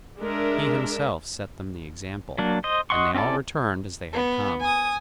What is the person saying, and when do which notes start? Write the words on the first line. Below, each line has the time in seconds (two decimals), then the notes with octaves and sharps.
He himself set them the example, and they all returned as they had come.
0.20 G#3 D4 A#4 E5
2.38 F#3 A#3 D4
2.64 C5 D#5
2.90 D#5 F#5 C6 C#6
3.15 C4 C#4 E4 A4 D5
4.13 B3
4.60 G#5 D#6